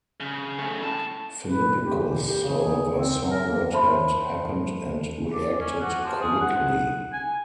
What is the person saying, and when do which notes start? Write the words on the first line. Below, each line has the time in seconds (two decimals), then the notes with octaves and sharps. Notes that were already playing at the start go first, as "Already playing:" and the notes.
Philippicus, however, saw what had happened and reacted quickly.
0.20 C#3
0.59 C#3 A3
0.82 A2 A5
1.47 B4
1.83 G4
2.11 A#2
2.26 G4
2.42 C#3
2.57 G#4
2.96 C4
3.31 A#4
3.47 A#3
3.72 C5 E5 A5 B5 C6
5.33 D5
5.60 C#4
5.81 F#4
6.04 F3
6.21 G#4
6.41 F#5
7.13 G#5